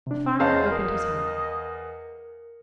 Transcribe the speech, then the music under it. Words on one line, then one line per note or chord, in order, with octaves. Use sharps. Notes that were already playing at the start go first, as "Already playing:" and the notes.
The farmer opened his hive.
C3 D4
E2 G#4 C5 C#5 D#5 F5 A5
A#4 D#5